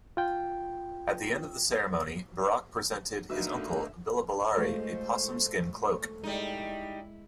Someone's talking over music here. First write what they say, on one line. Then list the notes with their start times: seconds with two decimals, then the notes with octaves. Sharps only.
At the end of the ceremony Barak presented his uncle, Billibellary, a possumskin cloak.
0.17 F4 G5
3.30 D3 A3 A#3 D#4 F#4 B4 E5
4.57 G#3 A3 F4 C5
6.24 G3 G#3 D#4 E4